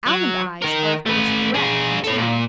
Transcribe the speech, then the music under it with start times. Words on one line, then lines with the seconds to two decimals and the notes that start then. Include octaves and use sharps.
Almond eyes are of course correct in Chinamen.
0.07 F#3
0.62 D#3 A#4
1.06 A3 B4
1.54 D4 G#4
2.04 A4 C#5
2.18 A#2